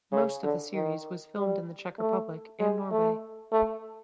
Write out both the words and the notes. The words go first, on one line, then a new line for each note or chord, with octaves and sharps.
Most of the series was filmed in the Czech Republic and Norway.
C#3
D3
D#3
G3
A3
G#3
A3
A3